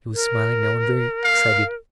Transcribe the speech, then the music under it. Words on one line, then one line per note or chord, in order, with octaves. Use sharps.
He was smiling now and very excited.
A#4
F5